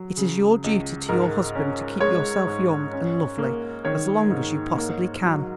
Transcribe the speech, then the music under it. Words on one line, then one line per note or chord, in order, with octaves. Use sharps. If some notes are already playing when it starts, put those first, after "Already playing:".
It is your duty to your husband to keep yourself young and lovely as long as you possibly can.
Already playing: F#3
C#3
C#2
G#2 A#4
C#4
G#3 C#5
G#2
C#4
A#3
D#3 C#5
G#2
A#3
F#3